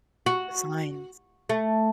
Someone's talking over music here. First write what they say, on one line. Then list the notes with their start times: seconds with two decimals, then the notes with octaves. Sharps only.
The signs.
0.26 F#4
1.49 A3